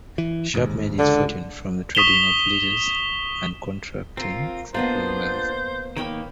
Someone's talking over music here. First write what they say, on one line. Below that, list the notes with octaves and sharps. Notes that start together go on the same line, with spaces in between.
Sharp made his fortune from the trading of leases and contracting for oil wells.
E3
A1 D#2 G#2
C#2 D3
C#6 D#6 B6 E7 F7 G7
C4 F4 A#4
A#3 B3 D4 F4 C5 D#5
D#3 A#3 C#5 G5 B5